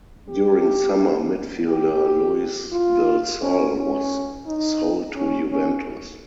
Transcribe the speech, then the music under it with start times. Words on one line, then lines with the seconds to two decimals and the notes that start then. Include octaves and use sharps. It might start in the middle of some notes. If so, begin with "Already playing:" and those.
During summer midfielder Luis Del Sol was sold to Juventus.
0.29 G4
1.68 G4
2.72 F4
3.42 C#4
3.77 C#4
4.46 D#4
5.16 C#4
5.51 C#4